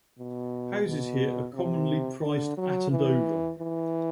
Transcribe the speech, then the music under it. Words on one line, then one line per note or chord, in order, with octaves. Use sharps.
Houses here are commonly priced at and over.
B2
B2
C3
D3
F#3
E3
E3